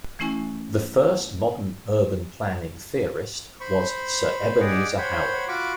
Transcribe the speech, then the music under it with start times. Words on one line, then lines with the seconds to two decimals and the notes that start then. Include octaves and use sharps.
The first modern urban planning theorist was Sir Ebenezer Howard.
0.19 E3 A3 C#4 E4 G#5 C#6
3.60 C5 B5 C#6
4.60 G4 G#4 D5 D#5 F#5
4.98 C5 C#5 F#5 G5 B5
5.48 F4 F#4 B5 C#6 D6